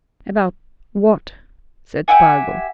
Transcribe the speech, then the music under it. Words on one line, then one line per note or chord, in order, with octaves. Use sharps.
"About--what?" said Spargo.
G4 E5 F#5 G#5